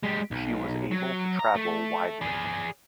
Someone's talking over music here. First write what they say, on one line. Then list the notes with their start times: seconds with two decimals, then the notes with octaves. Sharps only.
She was able to travel widely.
0.04 G#3 G4
0.31 B1
0.91 F#3
1.39 A#5
1.56 A3
2.21 G#4 D5